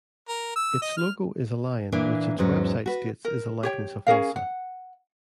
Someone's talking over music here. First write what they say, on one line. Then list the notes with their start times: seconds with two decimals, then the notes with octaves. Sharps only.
Its logo is a lion, which its website states is a likeness of Elsa.
0.29 A#4
0.56 E6
0.82 D#5
0.97 F6
1.92 A#2 E3 A#3 D4
2.38 E2 G#2 F#3 C#4
2.86 F#4 B4
3.25 A#4
3.63 G4 C#5 G5
4.07 C#4 G#4 A#4 F5
4.36 F#5